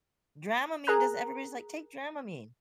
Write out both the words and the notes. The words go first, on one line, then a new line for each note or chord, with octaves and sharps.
Dramamine does everybody's like, "Take Dramamine."
G#4 A#4 A#5 F#6